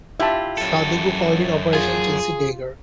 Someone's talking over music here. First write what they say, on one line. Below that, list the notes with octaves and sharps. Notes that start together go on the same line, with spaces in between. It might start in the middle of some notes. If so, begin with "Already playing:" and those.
Sadiku called it Operation Chelsea Dagger.
E4 F4 G4 E5 A5
F#2 A4
F4 G#4